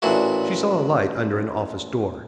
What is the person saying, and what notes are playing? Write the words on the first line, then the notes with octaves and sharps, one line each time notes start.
She saw a light under an office door.
A1 A#2 D4 E4 F#4